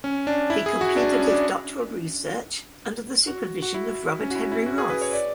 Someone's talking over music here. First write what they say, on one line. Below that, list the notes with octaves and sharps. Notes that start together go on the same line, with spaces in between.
He completed his doctoral research under the supervision of Robert Henry Roth.
C#4
D4
E4
G#4
F#4
D4
C#4
D4
F#4
F#4
E4
C#4
F#4
E4
E4
F#4
G#4
B4
C#5
D5